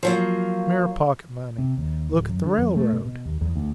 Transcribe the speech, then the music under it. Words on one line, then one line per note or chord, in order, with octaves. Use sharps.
Mere pocket money! Look at the railroad!
F3 F#3 A#3
C3
D#2
D1
F#2
D3
F2
A3
B2
B2
D#2
E2
D2